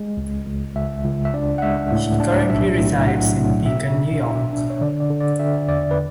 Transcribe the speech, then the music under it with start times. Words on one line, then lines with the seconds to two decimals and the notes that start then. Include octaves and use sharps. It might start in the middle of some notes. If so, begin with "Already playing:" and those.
He currently resides in Beacon, New York.
Already playing: G#3
0.17 C#2
0.46 C#2
0.75 C#2 E5
1.04 C#2
1.25 E5
1.34 D4 D5
1.58 F#5
1.62 G#3 E5
1.92 A2
2.20 D4
2.41 D5
2.49 B1 E5
2.78 A2
3.07 F#3 F#5
3.36 A2
3.65 B2 E5
3.94 D4
4.23 B2 E5
4.53 D4
4.70 C#5
4.81 D3 D5
5.00 D5
5.10 D3
5.20 D5
5.39 D3 E5
5.68 E2 D5
5.91 B4